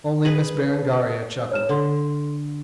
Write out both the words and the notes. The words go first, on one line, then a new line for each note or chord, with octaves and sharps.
Only Miss Berengaria chuckled.
G#4 B4 F#7
C#5 F6 E7
D3 A4 C6